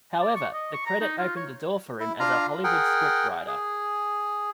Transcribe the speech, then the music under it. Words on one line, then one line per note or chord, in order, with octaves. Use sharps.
However, the credit opened the door for him as a Hollywood scriptwriter.
D5
C#6
D#5
C#6
A#5
D#4
F4
C#5
E4
D4 F4 F5 A#5
G#4 A#4 F#5 G5
G#4